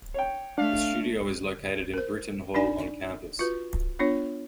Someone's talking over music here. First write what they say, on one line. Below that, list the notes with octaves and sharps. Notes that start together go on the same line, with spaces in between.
The studio is located in Brittain Hall on campus.
C#5 G5
A3 D4 F5
A#4 C5
D4 D#4 D5 G#5
F4 F#4 B4
B3 D4 F4 C#5